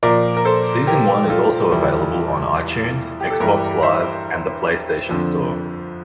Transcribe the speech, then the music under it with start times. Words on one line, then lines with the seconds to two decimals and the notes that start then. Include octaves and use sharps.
Season one is also available on iTunes, Xbox Live, and the PlayStation Store.
0.03 A#2 F3 A#4 D5
0.37 A#4
0.45 A4 C5
0.87 G4 A#4
1.30 F4 A4
1.71 E2 E3 G3
3.21 G4
3.30 A4
3.40 G2 E3 G3 G4 A#4
3.82 C5 E5
5.09 F2 D3 F3